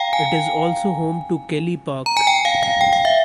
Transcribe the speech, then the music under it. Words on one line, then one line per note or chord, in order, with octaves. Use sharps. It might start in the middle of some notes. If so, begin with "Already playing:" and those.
It is also home to Kelly Park.
Already playing: F5 G5 A#5
G#5
A#5
G#5
G5
F5
F5
G5
F5
E5